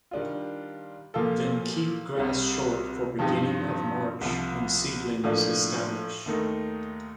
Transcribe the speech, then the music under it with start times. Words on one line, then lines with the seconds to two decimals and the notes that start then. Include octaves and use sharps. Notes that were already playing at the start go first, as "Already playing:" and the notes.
Then, keep grass short for beginning of March when seedlings establish.
0.11 D#3 G3 D4 F4
1.14 A#2 F3 A#3 F4 A4
2.17 C2 C3 G3
3.19 G2 F3 C4 D#4 G4
4.21 C2 C3 F3
5.24 A2 F3 A#3 D4 F4
6.26 D#2 D#3 A3 D#4